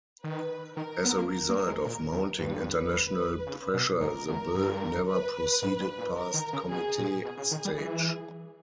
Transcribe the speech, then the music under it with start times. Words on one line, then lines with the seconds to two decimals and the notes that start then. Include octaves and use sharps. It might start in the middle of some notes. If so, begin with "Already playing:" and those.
As a result of mounting international pressure the bill never proceeded past committee stage.
0.23 D#3 B4
0.77 D#3 A#4
1.05 B3
1.18 A#3
1.31 A#4
1.49 A#3
1.67 G#3
1.85 A#2
2.12 E2
2.38 G2 B4
3.47 C#3
3.74 B2
4.00 G#2 A#4
4.28 E2
4.55 G2
5.08 B4
5.62 G#2
5.80 G2
5.98 A#2
6.17 A#4
6.34 D#3
6.53 C#3
6.70 B2 G#4
6.98 A#2
7.24 B2 G#4
7.37 C#3
7.51 D#3
7.65 G3
7.78 E3